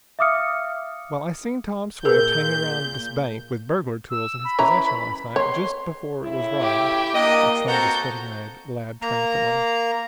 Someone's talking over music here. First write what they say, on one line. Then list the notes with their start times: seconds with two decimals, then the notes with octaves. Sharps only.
"Well, I seen Tom Swift hanging around this bank with burglar tools in his possession last night, just before it was robbed," exclaimed the squint-eyed lad triumphantly.
0.19 E5 F5 D6 D#6 F6 C#7
2.05 A#2 G#4 A#4 G6
4.10 E6
4.44 B5
4.59 E3 C#4 A#5
5.36 C#5 C6
6.22 A2 C#3 E4
6.60 G4 G5
7.14 A#3 D4 A#4 D#5
7.67 B2 C4 F#4 A4 A#5 G6
9.02 A#3 A#5